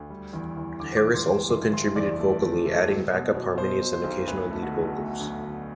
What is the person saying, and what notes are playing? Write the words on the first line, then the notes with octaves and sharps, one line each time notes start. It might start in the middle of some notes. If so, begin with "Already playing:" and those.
Harris also contributed vocally, adding backup harmonies and occasional lead vocals.
Already playing: D2
G3
E2
E2
D3 D6
D6
E2
C6
E2
F#1 C6
F#1 C6
E2 D5
A3
E2
A3
F#3
B2
B2
B2 C5
B2
C5
B1
D2 B4
A3
F#4
D3
A3
D2
D3